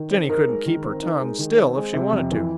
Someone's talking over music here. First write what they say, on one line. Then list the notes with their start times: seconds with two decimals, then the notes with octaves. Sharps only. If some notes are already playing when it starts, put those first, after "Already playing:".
Jenny couldn't keep her tongue still if she wanted to.
Already playing: D#3
0.11 C4
0.29 D#4 A#4
0.48 G#3
0.66 D#3
0.84 C4
1.03 D#4
1.21 G#3
1.39 D#3
1.57 C4
1.76 G#3
1.94 C3
2.13 F2
2.32 E3